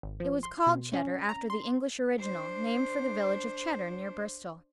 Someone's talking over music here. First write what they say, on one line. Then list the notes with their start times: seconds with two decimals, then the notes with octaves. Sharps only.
It was called Cheddar after the English original named for the village of Cheddar near Bristol.
0.03 G#1
0.20 F3
0.43 C6
0.67 B2
0.93 C#4
1.29 A#5
1.50 C6
2.17 D4 C5